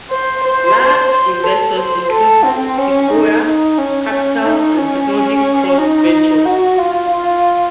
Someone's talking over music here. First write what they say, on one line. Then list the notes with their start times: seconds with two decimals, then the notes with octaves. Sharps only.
Large investors include Sequoia Capital and Technology Cross Ventures.
0.10 C5
0.44 C5
1.11 C5
1.44 A4
1.77 C5
2.11 A4
2.44 C4
2.78 C#4
3.11 D#4
3.44 D#4
3.78 C#4
4.11 C#4
4.45 D#4
4.78 C#4
5.78 D#4
6.45 F#4
6.78 F4
7.11 F4